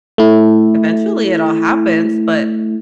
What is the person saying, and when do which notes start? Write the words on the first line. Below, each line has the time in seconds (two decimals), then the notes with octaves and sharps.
eventually, it all happens, but
0.18 A3 E4